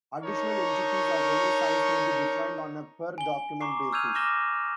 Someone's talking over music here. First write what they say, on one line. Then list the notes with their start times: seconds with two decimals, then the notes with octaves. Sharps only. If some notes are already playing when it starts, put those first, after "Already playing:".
Additional entities of any size may be defined on a per-document basis.
0.22 D4 D#4 A#4 C#5 C#6
3.18 G#5 G7
3.61 A#5 C#6 D6 C7
3.93 E6 F6 G6 G#6 D#7 F7
4.15 D6 F6 G6 A#6 E7 G7